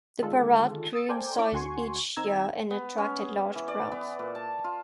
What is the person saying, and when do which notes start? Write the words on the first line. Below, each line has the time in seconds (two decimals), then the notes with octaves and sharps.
The Parade grew in size each year and attracted large crowds.
0.22 D3 D#3 G#3 F4 A4
0.93 D#6 E6 A6 C#7
1.09 A4 A#4 C5 D5 G5 G#5
1.38 C#4 E4 D5 D6
1.52 D2 D3 F#4 G#5 C6 C#6
2.16 D#3 C4 D#4 A#5 E6 G#6
2.71 B3
2.98 C#4
3.18 G#4
3.55 E3
3.68 D5
3.92 B3
4.19 A#2
4.35 A5
4.64 F4